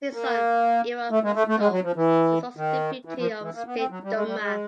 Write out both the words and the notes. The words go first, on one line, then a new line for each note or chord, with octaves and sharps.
His son, Ivan Musatov, is also a deputy of the State Duma.
A#3
A3
G#3
A3
A3
G#3
F#3
F3
E3
D#3
E3
F3
E3
A#3
B3
C4
F#3
G3
G#3
G3
G#3